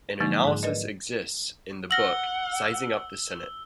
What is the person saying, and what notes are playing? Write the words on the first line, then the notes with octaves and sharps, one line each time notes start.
An analysis exists in the book "Sizing Up the Senate".
D3 F3 F#3 G#3 A#3 D#4
G#2 G#4
A#4 B4 D5 D#5
F#5 E6 F6 A#6 F#7 G7